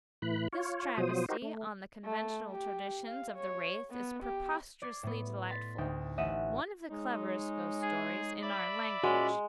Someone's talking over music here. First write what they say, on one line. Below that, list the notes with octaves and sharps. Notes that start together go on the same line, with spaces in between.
This travesty on the conventional traditions of the wraith is preposterously delightful, one of the cleverest ghost stories in our language.
A2 E3 B5 F#6
F4 C#5
B2 F3 F#3 C5 D#6
D#4 F#4 G4 A#4 C5
A3
A3
G4
F5
C#5
B3
G4
D5 G#6 C7
A2 B3
C6 A6 B6
D2 D#4 G5
A1 D#5 E5 F#5 D#7
G#3 D#4 C#5
G#4
D5 E5 B5
A#2 G#3 C#4 F#4